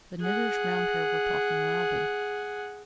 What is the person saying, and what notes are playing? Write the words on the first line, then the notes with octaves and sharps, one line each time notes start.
The knitters round her were talking loudly.
G#4 F#5